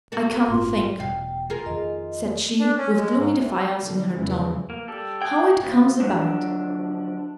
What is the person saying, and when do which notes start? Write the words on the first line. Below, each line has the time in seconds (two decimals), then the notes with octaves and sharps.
'I can't think,' said she, with gloomy defiance in her tone, 'how it comes about.
0.12 F#4 A4 A#4
0.48 G1 A2 C4 F4 C6
1.00 E1 B2 F5 G5
1.50 F4 G#4 A#4
1.66 F2 D#3 D#5
2.60 D4
2.77 C#4
2.96 G#3
3.16 G#2
3.34 D2
3.83 D3 D#3 F3 G3
4.13 E2 C#3 E3 G#3
4.70 A#3
4.88 G3 G4 A4
5.22 G#4 F#5 G5
5.63 D2 F4
6.00 D3 F3 F#3 D4